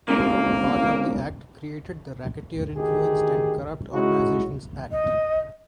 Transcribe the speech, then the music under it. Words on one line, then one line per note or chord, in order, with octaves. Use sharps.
Part of the Act created the Racketeer Influenced and Corrupt Organizations Act.
B1 G#2 C#3 A#3
D2 D#3 G4 G#4
G#3 C#4 D#4 E4 F#4
D#5